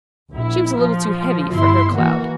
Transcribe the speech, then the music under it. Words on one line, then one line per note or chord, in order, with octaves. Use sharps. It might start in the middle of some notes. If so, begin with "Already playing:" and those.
She was a little too heavy for her cloud.
A#1 E4
F3
G1 E4 C6
E3 A#3 F#4